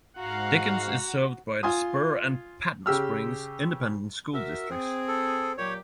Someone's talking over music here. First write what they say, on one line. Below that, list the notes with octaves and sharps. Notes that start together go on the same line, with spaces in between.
Dickens is served by the Spur and Patton Springs Independent School Districts.
G#2 F#4 F5 F#5 A#5
F4 G#5 C6 D#6
C#3 G4 E6 F6
F#4 A#4 E5
C4 G#4
A4
A#2 F#3 G4 C#5